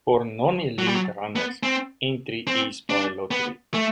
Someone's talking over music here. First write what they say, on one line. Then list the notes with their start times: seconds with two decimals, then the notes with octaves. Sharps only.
For non-elite runners, entry is by lottery.
0.79 F#3
0.87 G3
0.94 F#3
1.36 B3
1.63 C4
2.47 C4
2.90 D4
3.31 B3
3.74 A3